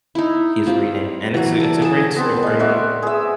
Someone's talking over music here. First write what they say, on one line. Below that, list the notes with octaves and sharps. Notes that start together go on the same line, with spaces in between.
he's reading, and it's a it's a great story,
D#4 E4
C4 F4 G4
E3 F#3
A4 D5
G#4 A4 A5
B3 C4 A5
G#3 F5
F#4 D5 E5
G#4 E5